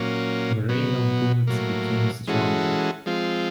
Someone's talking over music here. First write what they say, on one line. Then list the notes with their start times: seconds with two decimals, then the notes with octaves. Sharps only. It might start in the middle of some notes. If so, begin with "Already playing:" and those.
The rain of bullets became stronger.
Already playing: A#2 F#3 A#3 C#4
0.69 B2 F#3 B3
1.47 A2 F#3 A#3
2.27 E3 G#3 C#4 F#4 A4
3.06 F3 G#3 C4 F4